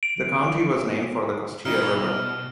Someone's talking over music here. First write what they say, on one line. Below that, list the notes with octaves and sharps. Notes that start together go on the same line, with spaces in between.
The county was named for the Costilla River.
D7
B2 G3 D#4 E4 F6